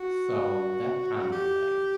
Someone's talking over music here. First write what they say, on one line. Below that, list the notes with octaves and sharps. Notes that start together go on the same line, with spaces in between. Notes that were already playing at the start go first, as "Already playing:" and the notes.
so that's kinda my thing.
Already playing: F#4
G4